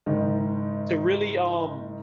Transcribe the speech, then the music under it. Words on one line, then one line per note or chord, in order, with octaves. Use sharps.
to really, um,
F#1 G#2 D#3